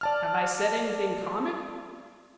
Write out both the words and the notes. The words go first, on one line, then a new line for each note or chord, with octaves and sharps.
"Have I said anything comic?"
D5 A5 F6